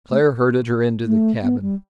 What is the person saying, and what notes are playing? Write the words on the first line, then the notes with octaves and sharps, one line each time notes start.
Claire herded her into the cabin.
A3
A3
B3
G3